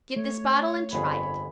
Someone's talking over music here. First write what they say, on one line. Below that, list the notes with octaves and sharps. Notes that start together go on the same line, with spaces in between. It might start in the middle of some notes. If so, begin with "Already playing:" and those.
Get this bottle and try it.
A3 C#5
G1 F2 G#4 B5